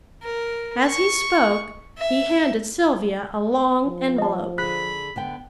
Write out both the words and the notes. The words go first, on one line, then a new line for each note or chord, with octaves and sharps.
As he spoke he handed Sylvia a long envelope.
A#4
C#6
E5
F3
D#5 A5
D3 G#4 B5 F#6 B6
D3 B3 G5